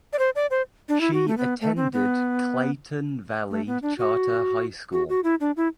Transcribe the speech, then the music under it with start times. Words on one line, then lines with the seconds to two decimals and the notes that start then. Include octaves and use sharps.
She attended Clayton Valley Charter High School.
0.13 D5
0.19 C5
0.36 D5
0.51 C5
0.89 D4
1.01 E4
1.13 F#4
1.28 A3
1.38 B3
1.61 A3
1.77 C4
1.93 B3
3.50 A3
3.67 B3
3.82 D4
3.98 F#4
4.93 F#4
5.09 F#4
5.24 E4
5.40 D4
5.57 E4